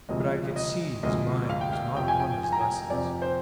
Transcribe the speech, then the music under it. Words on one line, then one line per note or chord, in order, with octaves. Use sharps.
But I could see his mind was not on his lessons.
D2 C3 F3 G#3 D#5
D#5
D2 C3 F3 G#3 D#5
F5
G5
F5
F2 C3 F3 G5
G#5
G5
G#5
A#5
G#5
F2 C3 F3 D5
C5